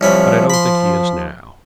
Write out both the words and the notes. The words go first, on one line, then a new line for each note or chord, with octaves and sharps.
But I don't think he is, now.
C2 F3 C#4 B5
B5 C6